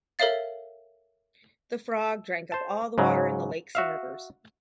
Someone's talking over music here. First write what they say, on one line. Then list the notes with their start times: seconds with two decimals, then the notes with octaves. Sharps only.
The frog drank up all the water in the lakes and rivers.
0.19 A4 A#4 C#5 E5 F5 A6
2.52 C5 A5
2.98 G#2 C#3 F#3
3.75 F#4 E5 F5